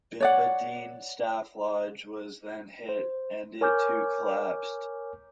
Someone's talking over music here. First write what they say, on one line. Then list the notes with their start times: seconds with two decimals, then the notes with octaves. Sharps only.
Bimbadeen Staff Lodge was then hit, and it too collapsed.
0.20 C#5 D5 F#5
2.89 C5
3.61 A#4 C#5 G#5 D6 F6 G6